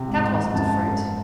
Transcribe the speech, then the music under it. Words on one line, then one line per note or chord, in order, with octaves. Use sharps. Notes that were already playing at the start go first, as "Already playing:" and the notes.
Kat wasn't afraid.
Already playing: C3
G#2
G#2
G#2
F#2 A5